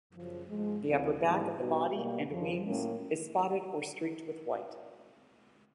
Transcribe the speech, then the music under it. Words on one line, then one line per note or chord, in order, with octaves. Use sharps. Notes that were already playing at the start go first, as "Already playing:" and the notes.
The upper back of the body and wings is spotted or streaked with white.
F#2 C#3 F3
G#2 F3 G#3
D2 C#3 E3 A3 C4
G#2 E3 G3 B3 E4
B2 G3 B3 D#4 F#4
B2 G3 A#3
F2 C#3 F3
A2 F#3 A#3 C#4